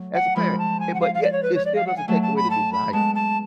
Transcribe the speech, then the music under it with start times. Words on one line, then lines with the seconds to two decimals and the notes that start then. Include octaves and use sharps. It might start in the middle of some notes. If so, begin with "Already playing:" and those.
as a parent, eh, but yet it still doesn't take away the desire,
Already playing: F#3 A3
0.15 F#5
0.36 F3 G#3 B5
0.58 A5
0.80 G#5
0.94 F#5
1.01 F5
1.15 F5
1.23 D5
1.32 C#5
1.43 B4
1.55 C#5
1.65 D5
1.76 F5
1.87 F#5
1.97 G#5
2.08 F#3 A3 A5
2.23 A5
2.37 B5
2.50 A5
2.73 B5
2.93 G#3 B3 A5
3.15 A5